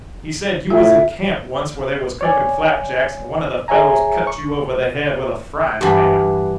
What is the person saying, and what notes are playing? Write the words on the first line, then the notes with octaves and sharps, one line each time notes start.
He said you was in camp once where they was cooking flapjacks, and one of the fellows cut you over the head with a frying pan.
A2 F4 E5
C#5 D5 G#5
G#4 C#5 E5 G#5 A#5
C#6
G2 E3 G4 F#5 A5